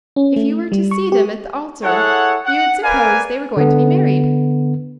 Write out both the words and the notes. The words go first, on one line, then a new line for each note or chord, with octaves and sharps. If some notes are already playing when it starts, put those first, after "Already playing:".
If you were to see them at the altar, you would suppose they were going to be married.
C#4
A3
G3
C#6
G4
E4 G#4 A4 C#5 F#5
F#5
A#4 B4 D5 F5 G#5
D3 B3